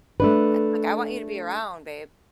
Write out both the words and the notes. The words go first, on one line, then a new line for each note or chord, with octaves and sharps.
Uh like, "I want you to be around, babe."
A3 D4 B4